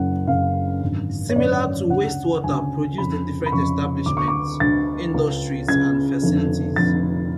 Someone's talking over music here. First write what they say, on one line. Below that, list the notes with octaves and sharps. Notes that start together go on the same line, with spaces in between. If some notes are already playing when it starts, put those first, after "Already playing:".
Similar to wastewater produced in different establishments, industries, and facilities.
Already playing: F#1 F#2 C#3 F#5
F#1 F#2 C#3 F5
G#1 F#2 D3
C#5
G#1 F#2 D3 D5
D2 C#3 F#5
D2 C#3 G#5
F1 F2 C#3 B5
B5
F1 F2 C#3 C#6
D2 D3 D6
C#6
D6
D2 D3 A6
C#2 C#3
C#2 C#3 G#6
F1 F2 D3
F1 F2 D3 A6